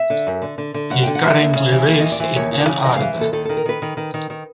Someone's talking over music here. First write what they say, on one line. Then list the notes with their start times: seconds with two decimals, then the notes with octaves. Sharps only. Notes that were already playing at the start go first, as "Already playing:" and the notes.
He currently lives in Ann Arbor.
Already playing: E5
0.10 D3
0.27 F#2
0.42 D3
0.58 D3
0.74 D3
0.90 F#2 F#5
1.03 D3 G5
1.15 F#5
1.23 D3 E5
1.39 D#2
1.55 C#3
1.72 E3
1.87 D#2
2.00 E3 D#5
2.12 D5
2.20 E3 C5
2.36 D#2 C#5
2.53 C#3
2.60 D5
2.68 C#3
2.85 E3 D#5
2.96 E3 F5
3.17 D#2 A4
3.33 D#3 A4
3.45 D#3 A4
3.57 A#4
3.66 D#3 B4
3.82 D#3
3.97 D#3
4.14 D#3
4.30 D#3